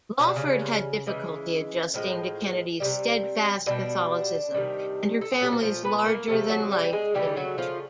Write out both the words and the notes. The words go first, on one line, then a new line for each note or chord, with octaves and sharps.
Lawford had difficulty adjusting to Kennedy's steadfast Catholicism and her family's larger-than-life image.
B2 G3 C#4 D4
C#3 C#4
C#3 E3 G#3
A2 F3 G#3
C3 D#3 G3
B2 D3 G3 D4
C3 D#3 G3
A4
G#4
A#2 F#3 A3 G4
F#4
F3 F4
B3 B4
A#3 A#4
C3 F3 G#3 A3 A4
F#3 F#4
G3 G4
G#3 G#4
C#3 E3 G3 A3 G4
F#3 F#4
F3 F4